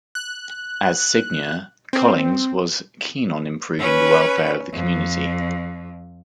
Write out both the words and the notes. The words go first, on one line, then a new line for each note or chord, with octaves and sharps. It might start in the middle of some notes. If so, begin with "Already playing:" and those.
As seigneur, Collings was keen on improving the welfare of the community.
F#6
C4
C#4 B4
F2